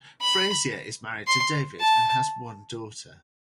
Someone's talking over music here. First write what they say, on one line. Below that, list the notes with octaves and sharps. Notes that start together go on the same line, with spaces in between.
Frazier is married to David and has one daughter.
B5
C6
A5